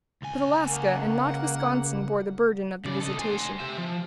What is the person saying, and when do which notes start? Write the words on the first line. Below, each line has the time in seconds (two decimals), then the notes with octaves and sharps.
But Alaska and not Wisconsin bore the burden of the visitation.
0.22 C#2 G#5
0.68 A#3 F#5
2.85 C#3 D5
3.00 A4 D#5
3.19 C5 G#5
3.59 G4 E5
3.78 F3